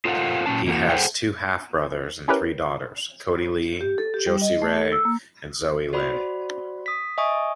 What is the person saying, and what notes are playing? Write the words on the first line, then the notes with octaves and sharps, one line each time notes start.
He has two half-brothers and three daughters, Koddi Lee, Jossi Rae and Zoey Lyn.
F4 A4 A#4 C5 F5 F#5
A#2 F#3 C#4 A5
E3 A#3 F#4
G#4 A4 C5 F#5 G5
C#4 E4 G4 A#4 B4 C#5
G4
A4
G4
G3
D#5
A3
A4
E6
A#3
F#4 C5 D5 B5
D#6 B6
D#5 E5 G#5 C#6 D#6